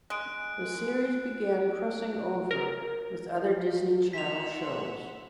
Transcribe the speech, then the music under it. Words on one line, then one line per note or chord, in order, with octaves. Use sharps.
The series began crossing over with other Disney Channel shows.
G#3 F#6 D7
A#4
E5 F#5 C6 B6 F7